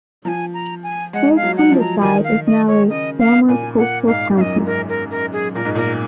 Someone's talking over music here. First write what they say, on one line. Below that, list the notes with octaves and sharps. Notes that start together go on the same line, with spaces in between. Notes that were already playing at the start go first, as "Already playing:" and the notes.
South Humberside is now a "former postal county".
F3 G#5 A#5
A#5
G#5
G#3 F#5
F5
F#3
F#5
F3
A#5
D#3 G#5
F5
D#5
C#5
C#3 D#5
F5
A#2 G#5
A#2 F#5
G#2 F5
F#2 D#5 F5
G#2 A#4
A#4
A#4
G#4
A#2 A#4
G#2
A#2 A#4